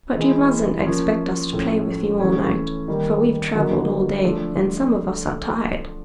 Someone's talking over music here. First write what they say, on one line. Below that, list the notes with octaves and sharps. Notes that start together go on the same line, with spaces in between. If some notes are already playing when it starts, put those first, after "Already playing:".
"But you mustn't expect us to play with you all night, for we've traveled all day and some of us are tired."
E3 G#3 C4 E4 G#4
F3 A#3 C#4
A2 F3 A3 C#4
E3 A3 C#4
D#3 G3 A#3
D3 F#3 A#3 D#4
F3 A3 D4 F4 A4